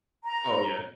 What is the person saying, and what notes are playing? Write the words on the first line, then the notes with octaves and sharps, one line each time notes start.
Oh, yeah.
A#5